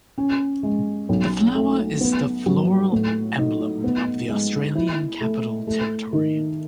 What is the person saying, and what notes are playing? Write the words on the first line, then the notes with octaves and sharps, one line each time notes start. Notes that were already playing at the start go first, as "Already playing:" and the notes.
The flower is the floral emblem of the Australian Capital Territory.
C#4
G#3
B1
A3
B3
F#3
A2
D#4
B3
G#3
E4
A3
A3
D#3